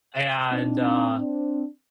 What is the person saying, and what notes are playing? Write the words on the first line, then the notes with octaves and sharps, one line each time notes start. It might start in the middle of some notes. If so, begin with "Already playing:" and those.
and, uh,
C4 D4 D#4
D4